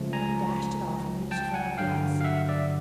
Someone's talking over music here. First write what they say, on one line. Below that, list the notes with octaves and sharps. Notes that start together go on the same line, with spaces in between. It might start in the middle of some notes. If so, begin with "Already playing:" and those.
Then he dashed it off, and reached for another glass.
Already playing: C#2 C#3 F3 A3
G#5 A#5
G5 A5
F#5 G#5
G2 D3 F#3 F5 G5
F5
E5 F#5
D5 E5